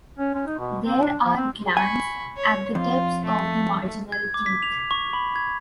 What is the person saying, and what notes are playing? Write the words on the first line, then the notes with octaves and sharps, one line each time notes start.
There are glands at the tips of the marginal teeth.
C#4
C#4
D#4
B2
C4
D4
F3
C4
G#5 B5 C#6
C#5
F2 F4
A3
G#6
D6
B6
F7
C#6
B5
G#6